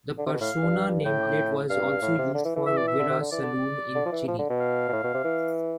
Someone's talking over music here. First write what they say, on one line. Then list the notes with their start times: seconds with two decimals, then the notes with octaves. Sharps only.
The Persona nameplate was also used for the Wira saloon in Chile.
0.18 D3
0.26 C3
0.33 B2
0.41 A2 F5
0.63 G2
1.05 A2 G5
1.70 G2 F5
2.02 A2
2.18 C3
2.34 D3
2.45 E3
2.56 E3
2.66 E3 E5
2.77 D5
2.88 E5
2.99 D3
3.10 C3
3.20 D3
3.32 E3 D5
3.42 D3
3.95 D3
4.05 F3
4.12 E3
4.27 F3
4.39 D3
4.50 B2
4.60 F5
4.89 B2
4.92 A2
5.04 B2
5.14 C3
5.24 E3